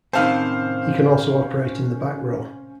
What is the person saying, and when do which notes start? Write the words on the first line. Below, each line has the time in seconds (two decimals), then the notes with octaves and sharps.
He can also operate in the back row.
0.13 A2 C3 D#3 C#4 C5 F5 A5